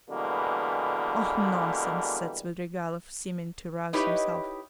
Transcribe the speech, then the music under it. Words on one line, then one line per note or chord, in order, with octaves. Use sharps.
"Oh, nonsense," said Svidrigailov, seeming to rouse himself.
B2 D3 E3 G3 G#3 A#3
D#4 E4 G4 B4 C#5 D#5